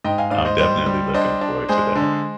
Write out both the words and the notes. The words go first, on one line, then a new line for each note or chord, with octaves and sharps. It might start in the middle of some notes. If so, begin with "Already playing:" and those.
I'm definitely looking forward to that.
G#2 D#5 G5
F5 G#5
G#2 D5 F5
C5 D#5
G3 C5 D#5
G3
D4 C5 D#5
D4
G#3 G#4 C5
D3